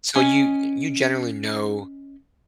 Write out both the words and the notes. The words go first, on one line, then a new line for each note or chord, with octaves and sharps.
So, you y you generally know
C#4 D#5 G#5